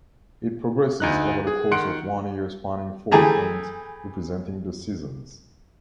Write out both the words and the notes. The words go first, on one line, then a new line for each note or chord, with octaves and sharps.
It progresses over the course of one year spanning four turns representing the seasons.
D2 D#4 F#6
G#4
D#3 F#5 C6 F#6 C#7 D7
E3 A3 G4 G#4 A5 A#5